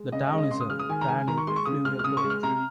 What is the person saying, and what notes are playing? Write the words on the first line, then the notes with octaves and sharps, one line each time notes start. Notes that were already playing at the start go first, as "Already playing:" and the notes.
The town is a Danube fluvial port.
Already playing: G#3
C#3 D#5
D#5
G#3
D#5
C#3 C6
D#6
G#3 F6
D#6
D#3 G#5
A#5
G#3 G#5
D#3 A#5
C#6
G#3 C6
C#6
C#3 D#6
G#3 F6
F6
C#3 D#6
C#6
G#3
F6
C3 A#5